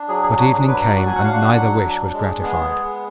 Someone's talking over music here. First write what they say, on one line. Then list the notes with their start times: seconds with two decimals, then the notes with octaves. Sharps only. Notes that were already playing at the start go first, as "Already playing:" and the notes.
But evening came and neither wish was gratified.
Already playing: D4
0.08 F#3 G#4
0.23 G#4
0.38 D4 F#4
0.53 G#4
0.67 F#3 B4
0.87 D5
0.97 F#4
1.06 G#5
1.16 F#5
1.24 D4 F5
1.34 F#5
1.55 F#3
1.85 D4
2.14 G#3
2.43 B3 G#4
2.73 G#3